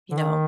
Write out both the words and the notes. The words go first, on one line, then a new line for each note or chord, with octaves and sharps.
you know,
D3
D#3